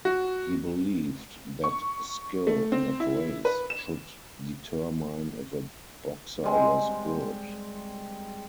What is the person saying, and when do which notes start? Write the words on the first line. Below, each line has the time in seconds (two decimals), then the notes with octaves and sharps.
He believed that skill, not race, should determine if a boxer was good.
0.05 F#4
1.64 C#6
2.47 A3
2.72 C4
3.00 E4
3.45 B4
3.70 E7
6.44 G3 G#3 C4